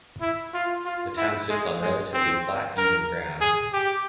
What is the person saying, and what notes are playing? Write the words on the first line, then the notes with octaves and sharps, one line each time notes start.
The town sits on relatively flat, even ground.
E4
F4
F4
E4
G#3
G#3
C4
A#4
G#4
G4